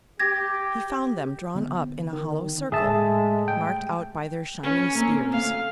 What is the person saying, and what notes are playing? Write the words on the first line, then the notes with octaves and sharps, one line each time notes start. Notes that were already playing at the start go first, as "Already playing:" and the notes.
He found them drawn up in a hollow circle, marked out by their shining spears.
G4 G#6 A#6
D3 B3
D#3
A2 G#3 A3 G#4 E5 A5
G3 G5
C#4 B4
A#3 C4 A#4
D2 F5